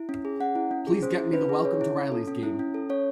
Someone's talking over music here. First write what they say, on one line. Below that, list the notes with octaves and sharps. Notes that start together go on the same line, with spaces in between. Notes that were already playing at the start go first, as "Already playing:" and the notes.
Please get me the Welcome to the Rileys game.
Already playing: E4
C#4
G#4
C#4 F#5
E4
C#4
G#4
C#4 C5
E4
C#4 B4
G#4
C#4 C#5
E4
C#4
A4
C#4
E4
C#4
A4
C#4 C#5